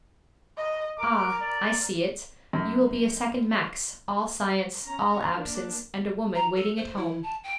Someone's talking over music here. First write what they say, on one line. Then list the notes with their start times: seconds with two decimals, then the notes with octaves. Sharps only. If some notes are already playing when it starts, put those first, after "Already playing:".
'Ah, I see it: you will be a second Max--all science, all absence, and a woman waiting at home!
0.57 D#5
0.98 A#4 D6
1.41 D5
2.53 F#2
4.85 C#4 A#5
5.32 A#3 D4
6.35 A#5
6.56 A4
6.77 C5
6.96 E4
7.23 A5
7.43 G5